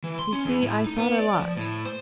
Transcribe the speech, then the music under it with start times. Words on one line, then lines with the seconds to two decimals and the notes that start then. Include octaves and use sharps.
You see, I thought a lot.
0.04 E3
0.19 C6
0.33 C#4
0.45 E2
0.62 A2
0.86 D#4
0.98 B3
1.19 D5
1.39 F3
1.57 A2
1.85 C5